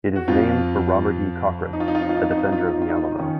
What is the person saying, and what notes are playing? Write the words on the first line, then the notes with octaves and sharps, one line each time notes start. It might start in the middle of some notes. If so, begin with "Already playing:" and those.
It is named for Robert E. Cochran, a defender of the Alamo.
F#4
F2 F3 F4
D#4
F4
D#4
F4
D#4
F4
D#4
F4
D#4
F4
D#4
F4
D#4
F4
D#4
F4
D#4
F4
D#4
D#3 C#4